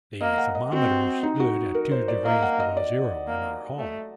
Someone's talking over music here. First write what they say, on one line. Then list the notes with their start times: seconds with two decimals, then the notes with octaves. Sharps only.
The thermometer stood at two degrees below zero in our hall.
0.21 A#3 D#5
0.38 F#5
0.55 D#5
0.72 C4 F#4
1.23 D#4
1.40 F#4
1.74 A#4
1.91 C5
2.08 D5
2.25 A#3 D#5
2.42 F#5
2.60 D#5
2.77 D5
3.28 A#3
3.78 A3